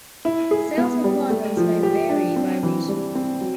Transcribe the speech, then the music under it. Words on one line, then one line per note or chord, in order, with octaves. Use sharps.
Sales requirements may vary by region.
E4
G#4
B3
G3
A3
F3
G4
D4
C4
E3
G3
C4
F#3